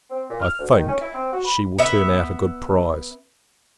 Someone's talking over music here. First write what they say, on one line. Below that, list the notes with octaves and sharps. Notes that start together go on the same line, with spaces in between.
I think, she will turn out a good prize.
C4
A#2
F6
D2
D#3
C#4
E4
C4
F#4
B5
B3 E5